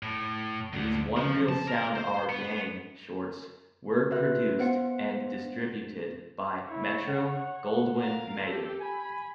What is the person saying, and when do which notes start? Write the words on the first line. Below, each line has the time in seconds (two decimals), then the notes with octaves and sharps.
These one-reel sound "Our Gang" shorts were produced and distributed by Metro-Goldwyn-Mayer.
0.03 A2
0.73 D2
1.17 F3
1.49 A5
1.67 A#4
1.95 C5
2.29 B3
4.11 F#4 B4 E5 F#6
4.59 B3 C5 F#5 C#7
6.69 E4 C#5
7.07 F#5
7.96 A#4 F5
8.45 G4 A4
8.80 G#5 B5